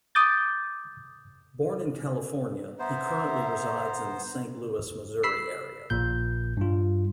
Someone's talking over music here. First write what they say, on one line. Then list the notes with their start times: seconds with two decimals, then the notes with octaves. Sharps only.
Born in California, he currently resides in the Saint Louis, Missouri area.
0.15 D6 D#6 G6 A6
2.79 B3 C5 E5 A#5
5.23 B5 E6 B6 C7
5.90 A#1 A#2 G6
6.57 G2 F4